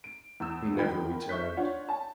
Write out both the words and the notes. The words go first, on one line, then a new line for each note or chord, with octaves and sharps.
He never returned.
D7
E2 E6
E2 D#3 F4 A#4 G5 B5
E5 C#6 G6 B6
D4 F4 C#5 F#5
A5